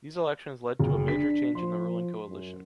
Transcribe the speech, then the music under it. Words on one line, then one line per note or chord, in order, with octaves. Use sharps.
These elections led to a major change in the ruling coalition.
F#1
D4 B6
F3 C6
F#2